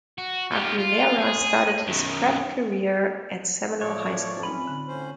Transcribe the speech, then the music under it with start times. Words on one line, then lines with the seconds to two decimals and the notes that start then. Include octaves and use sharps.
Aguilera started his prep career at Seminole High School.
0.18 F#4
0.52 F4 G4
0.78 F4
1.19 G#4
1.87 F#2 D#3
3.81 A2 F3 A3 C#5 D5
4.43 C4 C#4 D#4 F4 B5
4.67 D3
4.88 A2 C#4 C5